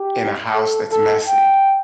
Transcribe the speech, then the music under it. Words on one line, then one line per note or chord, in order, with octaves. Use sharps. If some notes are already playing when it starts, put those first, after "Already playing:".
in a house that's messy,
Already playing: G4
A4
A4
G5